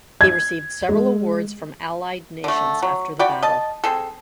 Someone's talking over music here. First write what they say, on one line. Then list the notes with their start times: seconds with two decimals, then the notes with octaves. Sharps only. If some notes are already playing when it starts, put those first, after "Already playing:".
He received several awards from allied nations after the battle.
0.21 G#6
0.89 G#3
2.44 D3 A3
2.82 F#3
3.19 F#4 D5 G5 B5
3.43 D#5 A5
3.84 C4 G#4 A4